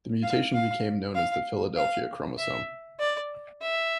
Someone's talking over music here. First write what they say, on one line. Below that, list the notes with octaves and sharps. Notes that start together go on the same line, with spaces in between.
The mutation became known as the Philadelphia chromosome.
F5
F5
F5
F5
E5
D5
E5